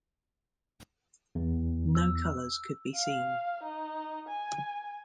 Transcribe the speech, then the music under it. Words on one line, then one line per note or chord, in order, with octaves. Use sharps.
No colors could be seen.
E2
E6
F5
D#4
G#5